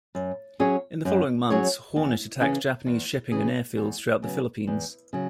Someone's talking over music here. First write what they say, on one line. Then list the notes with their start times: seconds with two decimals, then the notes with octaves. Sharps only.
In the following months, "Hornet" attacked Japanese shipping and airfields throughout the Philippines.
0.15 F#2
0.59 F#3 C#4 G#4 C#5
1.05 F#2
1.50 F#3 C#4 G#4 C#5
1.96 E2
2.41 C#3 E3 C#4 G#4
2.86 E2
3.32 C#3 E3 C#4 G#4
3.77 E2
4.22 C#3 F#3 B3
4.67 E2
5.13 C#3 F#3